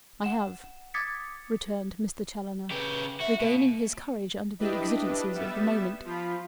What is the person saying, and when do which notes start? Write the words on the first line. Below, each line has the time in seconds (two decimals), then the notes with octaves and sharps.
"I have," returned Mr. Challoner, regaining his courage under the exigencies of the moment.
0.24 F#5 E7
0.94 D6 D#6 G#6 A6 B6 C#7
2.71 C#3 G4 B4
3.21 F#4 E5
3.41 B2 A#3
4.59 D4 E4 G4 B4 D#5
5.34 G3 B3 E5 A6 E7
6.05 F3 F4 B5